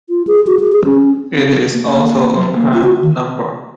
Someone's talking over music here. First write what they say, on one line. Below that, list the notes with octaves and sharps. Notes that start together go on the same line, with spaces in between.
It is also a prime number.
F4
G#4
F#4
G#4
G#4
C#4
C4
A#3
A#3
F#3
A#3
F4
F#4
D#3